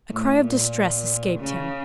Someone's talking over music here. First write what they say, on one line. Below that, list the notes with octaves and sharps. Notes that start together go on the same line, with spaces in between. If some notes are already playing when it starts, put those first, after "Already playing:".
A cry of distress escaped him.
A2
A#2
C#3